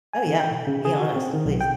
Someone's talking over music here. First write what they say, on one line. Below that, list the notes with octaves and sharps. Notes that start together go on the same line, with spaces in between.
Oh, yeah. Be honest, please.
G#5
E3
G5
B2
C#3
G#4
F#4
C4
D#3
B1
G5